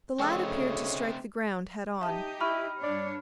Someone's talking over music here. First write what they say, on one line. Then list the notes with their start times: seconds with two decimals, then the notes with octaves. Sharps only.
The lad appeared to strike the ground head-on.
0.20 D2 C#3 A3 C4 C#5 D#5 G5 E6
2.01 D#4 G4 D#5 E5 A5
2.41 E4 B5 C#6 F6
2.83 G2 D4 C#5 D5